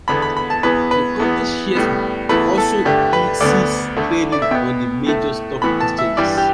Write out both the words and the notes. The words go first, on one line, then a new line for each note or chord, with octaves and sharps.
The company shares will also cease trading on the major stock exchanges.
E2 D3 B3 B5
B5
B5
A5
E2 E3 B3 B4
B4
E2 E3 B3
A2 G3 B3
E2 E3 A3 B4
A4
G2 D3 A3 G4
B4
D2 D3 B3 D5
D2 D3 A3
D5
E5
B2 B3 G5
A2 A3
A2 E3 B3 B5
A5
E5
G2 E3 G3 D5
G4